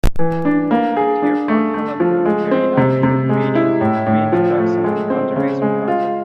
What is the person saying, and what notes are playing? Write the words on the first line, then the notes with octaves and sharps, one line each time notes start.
The Tierpark Hellabrunn is very active in breeding, reintroduction and conservation projects.
E3
D4
A#3
G#4
D4
A3
A3
F3
G#3
C4
C3
C3
G#3
E4
A2
A2
F3
A3
G#3
C4
C#3
G#3
F4